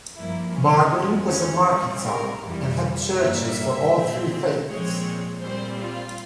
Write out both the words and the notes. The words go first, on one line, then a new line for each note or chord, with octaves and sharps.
Margonin was a market town, and had churches for all three faiths.
G2 F3 A#3 E4
C#4
F2 C#3 F3 G#3
C#4
C3 G3 C4 C#4
A#4
F2 E3 G3
G2 G3 A#3 E5
A#2 G#3 C4
A#2 F3 G#3 C4 C#5
A#2 G3 C4 C5
F4